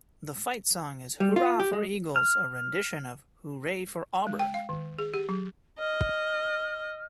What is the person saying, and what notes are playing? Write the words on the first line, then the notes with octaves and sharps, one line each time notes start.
The fight song is Hoorah for Eagles a rendition of Hooray for Auburn!!
G3
F4
G4
G#3
F6
G#3
G5
F5
D#3
G#4
G4
F#3
D#5 F6